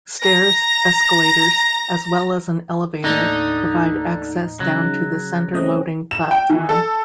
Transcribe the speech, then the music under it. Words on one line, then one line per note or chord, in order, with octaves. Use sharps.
Stairs, escalators, as well as an elevator provide access down to the center-loading platform.
A#5 A#6
D#2 A2 D3 D#4
C#3 F#3
A3 C4 C#4 D#5
E7
G5
E3
A4